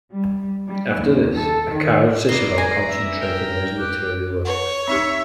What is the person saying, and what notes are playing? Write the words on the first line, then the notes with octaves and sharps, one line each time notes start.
After this, a cowed Cicero concentrated on his literary works.
G3
G3
D#2
A4
D#3
B4 D5 D#5 A#5 C7
G#5 A#5
E5
A#4 G5
G4 F#6
B4 C#5 F#5
C4 D#4 G4 E5